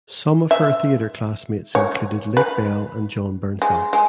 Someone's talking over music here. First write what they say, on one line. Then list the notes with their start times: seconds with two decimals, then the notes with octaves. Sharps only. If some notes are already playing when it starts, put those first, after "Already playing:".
Some of her theater classmates included Lake Bell and Jon Bernthal.
0.51 E5
1.75 C#5
2.37 B4
3.62 G#3
3.93 G#3